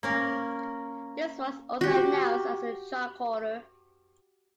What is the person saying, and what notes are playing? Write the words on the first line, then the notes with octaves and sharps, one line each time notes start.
This was also announced as a "tricorder".
A#3 C#4 A#4
F#4 G4